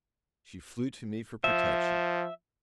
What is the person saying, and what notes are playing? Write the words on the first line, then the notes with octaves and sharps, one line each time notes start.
She flew to me for protection.
F3 E5